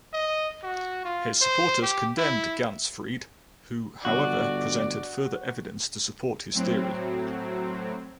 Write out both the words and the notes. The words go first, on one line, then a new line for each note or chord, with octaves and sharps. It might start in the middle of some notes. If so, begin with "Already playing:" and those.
His supporters condemned Ganzfried, who, however, presented further evidence to support his theory.
D#5
F#4
F4
C5
G4
E4
G1 F#4 D5
A2 F#3 C4